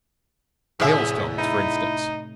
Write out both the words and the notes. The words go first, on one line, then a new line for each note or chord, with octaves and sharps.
Hailstones, for instance.
E2 A2 C3 B3 G#4 E5
D#4 E4